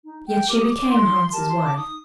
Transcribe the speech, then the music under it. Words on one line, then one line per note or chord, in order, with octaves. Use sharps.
Yet she became Hans' wife.
D#4
G5
G4 A#4 D6
D#6
D6
D#4 C6
G4 A#4 A5
C6
D6
D#4 D#6